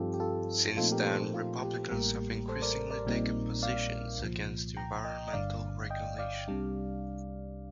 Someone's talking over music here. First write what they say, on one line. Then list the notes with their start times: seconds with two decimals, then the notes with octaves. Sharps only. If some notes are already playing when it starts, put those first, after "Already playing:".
Since then Republicans have increasingly taken positions against environmental regulation.
Already playing: G2 F3 C4 D#4 F4 G4 A4
0.14 G4
0.20 F4 A4
0.77 A#2 F3 A3 C4 D#4 F4 A4
0.92 G4 A#4
1.05 A4 C5
1.34 F4
1.63 G4
1.91 A1 A2 G3 A#3 G4 A#4
2.48 A4 C5
2.62 A#4 D5
2.91 A#4 D5
3.05 A#1 A#2 G3 C4 D#4
3.63 D5 F5
4.19 C2 A#2 F3
4.77 G5 A#5
5.04 D#5 G5
5.28 D#5
5.33 G1 G2 D3 D5 F5
5.90 D#5 G5
6.19 D5 F5
6.48 C2 C3 G3 D4